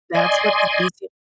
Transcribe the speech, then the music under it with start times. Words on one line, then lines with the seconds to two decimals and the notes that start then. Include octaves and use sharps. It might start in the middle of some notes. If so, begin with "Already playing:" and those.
that's what the DC
0.15 D5 D#5 G#5 C6